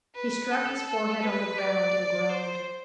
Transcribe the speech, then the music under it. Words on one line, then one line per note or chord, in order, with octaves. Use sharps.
He struck his forehead on the ground and groaned.
B4
A4
A4
B4
D5
C5